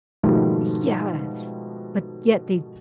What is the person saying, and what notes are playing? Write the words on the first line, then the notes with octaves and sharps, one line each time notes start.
Yes, but yet they
G#2 B2 D#3 F3 G3 A3